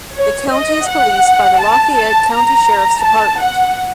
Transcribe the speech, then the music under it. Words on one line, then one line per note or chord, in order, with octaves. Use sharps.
The County is policed by the Lafayette County Sheriff's Department.
C#5
D#5
F#5
A5
A5
A#5
A5
F#5